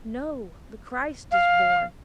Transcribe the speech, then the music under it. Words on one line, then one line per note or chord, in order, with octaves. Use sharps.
"No, the Christ is born."
F5